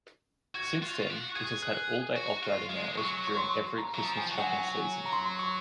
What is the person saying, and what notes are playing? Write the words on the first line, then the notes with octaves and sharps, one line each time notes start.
Since then, it has had all-day operating hours during every Christmas shopping season.
F#4 G#6
F4
F4
F#4
G#4 G#6
F#6
F#4
F4
G#3
F#3 C#6
C#6
C6
A#5
F#3 A#5
F3
G#5
F#3
F#5
G#5
A#5
C6
C#6